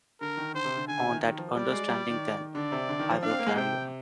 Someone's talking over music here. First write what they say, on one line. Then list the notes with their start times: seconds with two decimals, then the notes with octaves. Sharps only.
On that understanding then, I will carry on.
0.21 D3 A#4
0.37 D#3
0.54 D3 C5
0.65 C3
0.76 D3
0.87 D3 G#5
0.99 C3
1.11 D#3
1.21 D#3
1.38 F3
1.55 G3 D5
1.71 G#3
1.88 G3
2.10 D#3
2.55 D3 D5
2.72 C3
2.89 D3
3.00 D#3
3.11 F3
3.22 D4 F5
3.31 C4
3.39 A#3
3.47 G#3
3.56 C3 G5